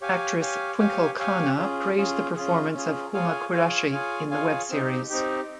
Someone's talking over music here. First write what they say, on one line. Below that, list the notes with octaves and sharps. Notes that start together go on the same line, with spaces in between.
Actress Twinkle Khanna praised the performance of Huma Qureshi in the web series.
G4 C#5 F5 G#5
G4 C#5 F5 G#5
G4 C#5 F5 G#5
G4 C#5 F5 G#5
C#4 F4 G#4
C#4 F4 G#4
C#4 F4 G#4
C#4 F4 G#4
F4 G#4 C#5 F5 G#5
F4 G#4 C#5 F5 G#5
F4 G#4 C#5 F5 G#5
F4 G#4 C#5 F5 G#5
C4 D#4 G4
C4 D#4 G4